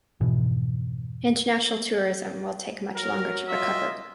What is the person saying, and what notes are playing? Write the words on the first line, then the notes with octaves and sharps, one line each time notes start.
International tourism will take much longer to recover.
F2 G#2 B2 E3
F#3 A#4
F4 A#4 D#5 E5